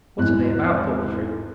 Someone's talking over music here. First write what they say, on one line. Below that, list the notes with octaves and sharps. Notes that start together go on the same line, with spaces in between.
"What are they about?" thought the Tree.
G#1 E2 F#6